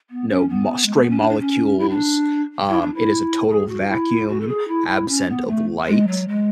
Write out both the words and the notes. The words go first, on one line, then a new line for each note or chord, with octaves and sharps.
no mo stray molecules. Um, it is a total vacuum absent of light.
B3
C#4
B3
G#3
A3
B3
C#4
D4
D4
C#4
E4
D4
E4
D4
E4
G#4
F#4
E4
F#4
A4
G#4
E4
E4
C#4
B3
A3
G#3
F#3
G#3